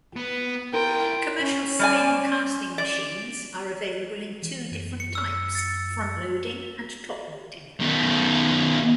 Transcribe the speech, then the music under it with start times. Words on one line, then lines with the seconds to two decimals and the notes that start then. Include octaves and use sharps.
Commercial spin casting machines are available in two different types, front-loading and top-loading.
0.16 B3
0.74 E4 A#4 G5 C6
1.39 C#4
1.79 G3 D5 G#5
2.78 D5
4.42 E3
4.72 F#2
5.00 C#7
5.15 E6
5.55 A6 C#7
7.80 B2 D#3